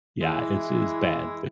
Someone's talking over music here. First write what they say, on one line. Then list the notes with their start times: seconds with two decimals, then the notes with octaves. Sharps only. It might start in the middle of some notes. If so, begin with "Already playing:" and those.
Yeah, it's it's bad.
0.22 E3 G#3 E4